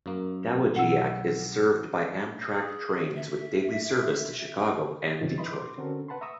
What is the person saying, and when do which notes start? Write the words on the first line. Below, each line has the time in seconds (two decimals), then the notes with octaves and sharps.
Dowagiac is served by Amtrak trains with daily service to Chicago and Detroit.
0.06 F#2 A#3
0.76 B1 F#5 E6
2.53 G#4
3.15 E5
5.19 F#2 C3 D#3 F3 B3 A6
5.38 E3 D#5 E5 B5 C6
5.53 C6 D6
5.78 D3 C4 C#4 F#4 A4 A#4
6.08 B4 F#5 A5 B5 C6
6.21 E5 A#5 C#6 D#6 E6